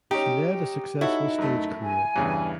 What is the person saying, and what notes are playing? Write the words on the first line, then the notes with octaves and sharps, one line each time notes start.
She led a successful stage career.
C#4 D#4 G4
D#4 E4 F#4 A4 C#5
F#2 A3
G#5
E2 G2 C#3 E3